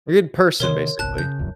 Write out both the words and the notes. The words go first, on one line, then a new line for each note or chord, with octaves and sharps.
A good person, basically.
C3 D#3 A#4 C#5 C6
G1 C2 A5 F#6
C#3 G6
D#1 C#2 F#2